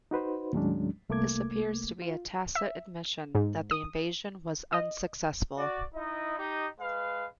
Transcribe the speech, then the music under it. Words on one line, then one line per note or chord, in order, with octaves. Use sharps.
This appears to be a tacit admission that the invasion was unsuccessful.
D#4 F#4 B4 C5
D#2 A2 F#3 G#3 C#4 D4
C2 A3 A#3 D6 G#6
F4
E5
G#2
D#6
D#5
F#4 D5
D#4 E4 D#5
D#4 G4 D#5
G#3 B4 F5